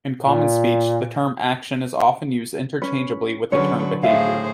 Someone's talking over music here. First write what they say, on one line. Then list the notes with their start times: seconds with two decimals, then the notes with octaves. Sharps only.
In common speech, the term action is often used interchangeably with the term behavior.
0.20 A#2
2.82 C#4 B4
3.52 D3 F#3 C#4 G#4 B4 C#5
4.03 A2 G#4 C5 E5 F5